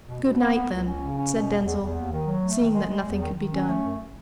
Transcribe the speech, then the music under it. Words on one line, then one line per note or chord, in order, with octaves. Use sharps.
"Good-night, then," said Denzil, seeing that nothing could be done.
B2
B2
B3
B3
C#2
C#4
C#3
C#4
B2
E2
E2
E2
D#2
D#3
F#3
A3
D#3
G#3
G#3
E2
D#3
D#3
C#4
A3
F#2